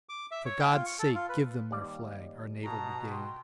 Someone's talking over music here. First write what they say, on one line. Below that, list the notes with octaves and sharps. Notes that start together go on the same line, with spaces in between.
For God's sake give them their flag, our Naval Brigade!
D6
E5
C#5
G5
F4
C#6
A4
F4
B4
D#2 G3 D5
B2 A5 A#5
G5 C6